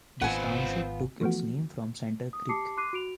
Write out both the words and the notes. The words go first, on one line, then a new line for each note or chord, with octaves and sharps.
This township took its name from Center Creek.
G#1 B3 C4 F4 B4 F#5 G#5
E3 F3 A3 B3 F#4
D#6
G4 A5 D6 C7 C#7
C6 D6 F#6 C7 D#7
F#4 D7 F7